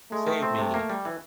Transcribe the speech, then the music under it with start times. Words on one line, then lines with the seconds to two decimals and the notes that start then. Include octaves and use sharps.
Save me!
0.12 G#3 A3
0.27 D#3
0.42 C4
0.58 C3
0.74 A#3
0.90 G3
1.05 E3